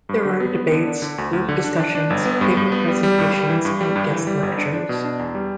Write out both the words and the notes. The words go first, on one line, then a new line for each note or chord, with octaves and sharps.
There are debates, group discussions, paper presentations and guest lectures.
G2
D3
B3
B3
D3
D4
D3
D2
D2
D3
D4
D4
D4
G1
B3
G2
G2
B3
G3
G3
G2
G3
E3
G2
G3
G2
E3
G3
G1
D4
D4
B2
D4
E2
G3